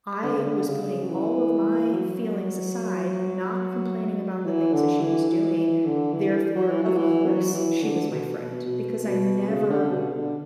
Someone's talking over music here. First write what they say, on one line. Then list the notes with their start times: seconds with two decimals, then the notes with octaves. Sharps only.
I was putting all of my feelings aside, not complaining about the things that she was doing. Therefore, of course, she was my friend because I never
0.23 D3
0.34 C#3
0.44 D3
0.66 C#3
1.03 F#3
1.09 E3
1.92 F#3
4.45 E3
4.73 D3
5.01 E3
5.29 E3
5.57 E3
5.85 D3
6.13 E3
6.55 F#3
6.69 E3
6.82 F#3
6.96 E3
7.25 F#3
7.54 E3
7.82 D3
8.10 B2
8.38 B2
8.65 B2
9.07 B2
9.49 C#3
9.70 D3
9.91 B2
10.12 D3